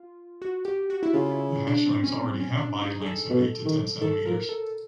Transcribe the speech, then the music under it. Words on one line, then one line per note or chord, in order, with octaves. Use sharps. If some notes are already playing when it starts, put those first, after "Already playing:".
The hatchlings already have body lengths of eight to ten centimeters.
Already playing: F4
F#4
G4
F#4
E4
C#3 F4
F4
E4
D4
C4
C#4
C4
C#4
D4
D#4
G#4
A4
B2
D#3
D#3 A4
F3 A#4
A4